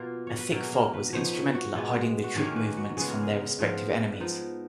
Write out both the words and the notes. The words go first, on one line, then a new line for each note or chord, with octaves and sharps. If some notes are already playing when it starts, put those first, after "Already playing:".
A thick fog was instrumental at hiding the troop movements from their respective enemies.
Already playing: B2 A#3 F4
C#5
B4
B2 F#3 A#3 A#4
G#4
A#4
B4
F3 B3 D#4 C#5
B4
C#5
F#4
B2 G#3 B3
F#4
D#3 A#3 C#4 G#4
A#4
B4
F#4
C#3 G#3 B3 G#4
A#4
G#4
G#2 F3 B3 F4
B4
F3 B3 D#4 A#4